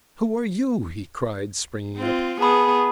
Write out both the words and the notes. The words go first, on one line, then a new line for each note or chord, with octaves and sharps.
"Who are you?" he cried, springing up.
C4 F4
B3 G#4 A5 B5 D#6